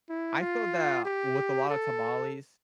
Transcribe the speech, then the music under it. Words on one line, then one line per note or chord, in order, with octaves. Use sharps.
I feel that, with a lot of tamales,
E4
F4
G4
A4